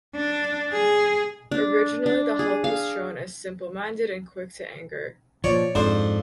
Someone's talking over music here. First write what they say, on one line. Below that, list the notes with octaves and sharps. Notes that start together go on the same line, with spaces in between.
Originally, the Hulk was shown as simple minded and quick to anger.
D4
G#4
D4
D4
G#4
F5
A#2 F3 C#5 D5
F2 G#2 D4 C5